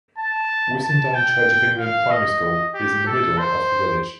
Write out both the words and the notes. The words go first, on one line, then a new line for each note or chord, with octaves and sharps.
Whissendine Church of England Primary School is in the middle of the village.
A5
A5
G5
F5
D#5
G4
A4
C5